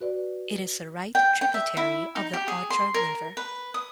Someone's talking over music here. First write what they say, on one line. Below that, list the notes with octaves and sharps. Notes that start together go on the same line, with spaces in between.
It is a right tributary of the Odra River.
F#4 B4 D5
G5
G5
E5
E4
D#4
G4
G#4
C6
A#4
B4
D#6